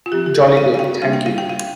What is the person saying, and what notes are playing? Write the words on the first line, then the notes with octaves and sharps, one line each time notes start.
Jolly good, thank you.
F4
F3 C4 G4
G4
A4
F5
F5
G5
G3 A#3 D4 F5
G5
F5
G5
F5